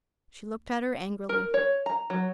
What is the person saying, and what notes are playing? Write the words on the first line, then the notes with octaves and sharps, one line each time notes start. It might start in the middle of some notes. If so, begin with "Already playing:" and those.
She looked at her angrily.
A#4
C#5
A#5
F#3